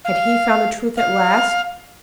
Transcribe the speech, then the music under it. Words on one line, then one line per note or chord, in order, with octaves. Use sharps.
Had he found the Truth at last?
F5
F5